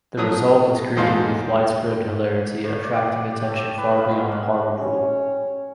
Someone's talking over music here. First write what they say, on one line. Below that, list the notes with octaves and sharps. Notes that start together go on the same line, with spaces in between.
The result was greeted with widespread hilarity, attracting attention far beyond Hartlepool.
F3 F#3 D#6
E2 G#2 D#4 A4 F5 C6
A2
D5
F#5
G4
A4
B4
F5
G#3
F#5
C#4 G4 C#5